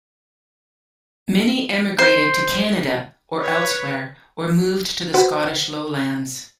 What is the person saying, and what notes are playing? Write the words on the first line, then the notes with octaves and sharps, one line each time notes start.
Many emigrated to Canada or elsewhere, or moved to the Scottish Lowlands.
C5
B4 C#5
F#4 B4 C5